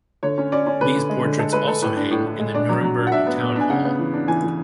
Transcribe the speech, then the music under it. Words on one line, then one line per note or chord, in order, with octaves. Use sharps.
These portraits also hang in the Nuremberg town hall.
D3 C#5
C#4
C#4 D5
C#4
D3 B4
D3
G#3
D3
G#3 A4
G#3 B4
G#3 A4
A2 B4
D4
A2
A2
G#3
D4 D5
F#3
F#3
D4
F#5
D4 E5
B3
B3
D4 G#5
C#3 F#5
B3
E3
D4
E3 G#5
E3